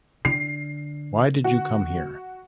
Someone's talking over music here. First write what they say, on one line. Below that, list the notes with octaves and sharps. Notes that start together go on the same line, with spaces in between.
Why did you come here?
D3 C7
F#4